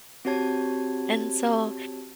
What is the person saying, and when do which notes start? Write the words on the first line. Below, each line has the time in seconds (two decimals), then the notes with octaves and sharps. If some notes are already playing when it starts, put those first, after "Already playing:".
And so
0.25 C4 F#4 G4 C#5 A5 G#6